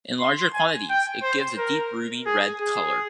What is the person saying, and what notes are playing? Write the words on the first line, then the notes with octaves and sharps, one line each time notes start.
In larger quantities, it gives a deep ruby red colour.
C6
G#5
G5
C5
A#4
G#4
G#4